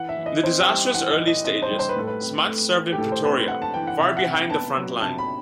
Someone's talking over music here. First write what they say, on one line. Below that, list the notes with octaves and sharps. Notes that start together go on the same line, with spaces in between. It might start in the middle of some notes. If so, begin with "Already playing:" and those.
In the disastrous early stages, Smuts served in Pretoria, far behind the front line.
Already playing: E3 F#5
E5
E3
D#5
C4 C5
G4
G3
E3 F#5
D#5
E3
D#5
C4 D#5
C5
G3
C5
B4
A2 A4
B4
C4
A3
E3
G4
A2 A4
C5
C4 B4
A3 F#5
A5
E3 G5
F#5
C3 E5
F#5
C3
G5
B3 A5
F#3
C3 A5
B5